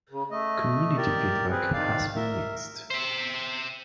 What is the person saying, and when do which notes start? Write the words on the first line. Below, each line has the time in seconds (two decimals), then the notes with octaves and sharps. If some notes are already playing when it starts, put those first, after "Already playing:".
Community feedback has been mixed.
0.11 C#3
0.31 A3 D#5
0.97 G4 A#4 D5
1.50 C4 G#4 B4
1.74 D#3 D5 F5
2.16 A#4 E5
2.91 C5 E5